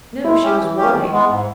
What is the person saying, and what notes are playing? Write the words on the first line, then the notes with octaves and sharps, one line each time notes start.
"No--she was worried."
G#3 E4
C#4 G4
E3
A#3 C#4 G4
D#3
G#3 B3
G#2